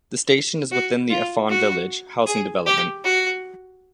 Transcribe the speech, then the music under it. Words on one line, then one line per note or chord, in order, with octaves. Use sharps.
The station is within the "Afon Village" housing development.
F#4
F4
F#4
G#4
G4
F#4